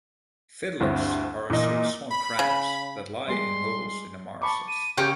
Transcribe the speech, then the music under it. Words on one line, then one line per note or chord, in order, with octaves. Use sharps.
Fiddlers are a sort of small crabs, that lie in holes in the marshes.
D2 G2 C4 E4
A#2 E3 A#3 D#5
B5
C#3
G3 G#3 C6
A5 B5 C#6 D6
D#7
C#3 G4 C#5 F6 G6